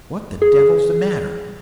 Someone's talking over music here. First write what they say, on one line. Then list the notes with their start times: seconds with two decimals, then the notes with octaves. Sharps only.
What the devil's the matter?
0.42 G#4